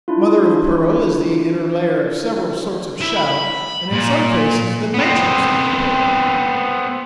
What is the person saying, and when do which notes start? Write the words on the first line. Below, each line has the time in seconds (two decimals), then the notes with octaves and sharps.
Mother of pearl is the inner layer of several sorts of shell, and in some cases the matrix of the pearl.
0.08 D4 E4 F4
3.01 E4
3.17 B5
3.92 A#2
4.94 B3 C4